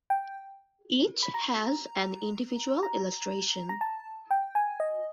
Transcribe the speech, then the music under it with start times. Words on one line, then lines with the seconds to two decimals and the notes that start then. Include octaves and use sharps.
Each has an individual illustration.
0.10 G5
1.23 B5
1.34 A#5
2.83 A#5
3.69 A#5
3.81 A5
4.31 G5
4.55 G#5
4.80 D#5